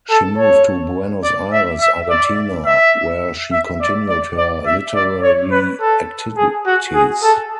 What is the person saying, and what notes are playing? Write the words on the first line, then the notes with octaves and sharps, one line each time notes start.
She moved to Buenos Aires, Argentina, where she continued her literary activities.
A4
C#5
D5
E5
E5
D5
E5
E5
D5
D5
D5
E5
D5
C#5
B4
A4
G#4
F#4
G#4
A4